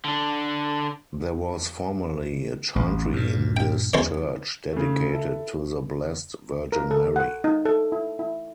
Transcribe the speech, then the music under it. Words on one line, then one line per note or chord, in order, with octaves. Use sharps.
There was formerly a chantry in this church, dedicated to the Blessed Virgin Mary.
D3 D4
A1
G2 A#2
G5
E2 C5 C#5
C#3 A3
E4 A4
A#4
A4
F#5
D#4
A4
E4
E4